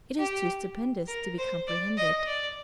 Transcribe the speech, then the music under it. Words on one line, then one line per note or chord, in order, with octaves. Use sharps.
It is too stupendous to be comprehended.
G4
A#4
C5
D5
D#5
D5